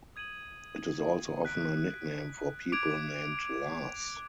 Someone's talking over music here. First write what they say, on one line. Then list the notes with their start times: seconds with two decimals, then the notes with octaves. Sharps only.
It is also often a nickname for people named Lars.
0.16 D#6 G#6 D#7 F#7
1.45 F#6 B6 D7
2.72 D6 G#6 D7 F7